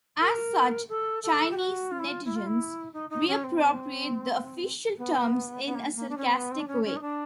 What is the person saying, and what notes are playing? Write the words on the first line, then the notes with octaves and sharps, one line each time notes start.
As such Chinese netizens reappropriate the official terms in a sarcastic way.
A#4
A4
A4
G4
F#4
F4
E4
F4
E4
F4
E4
D#4
D#4
C#4
C4
B3
B3
A#3
A#3
D4
C#4
C4
B3
C4
D4
C#4
C#4
D#4
D4